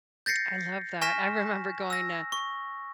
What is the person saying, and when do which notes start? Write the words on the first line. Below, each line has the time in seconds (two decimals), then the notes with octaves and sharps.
I love that. I remember going to,
0.26 G6 A6 A#6 C7 C#7
1.01 G#5 C#6 F6 A#6 B6 E7
1.90 E6 A#6
2.32 C#6